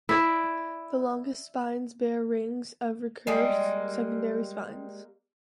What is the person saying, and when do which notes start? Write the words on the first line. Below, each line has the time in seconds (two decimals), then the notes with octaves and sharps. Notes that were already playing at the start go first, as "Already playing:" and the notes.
The longest spines bear rings of recurved secondary spines.
0.09 E4 D5
3.27 G3 G#3 A#3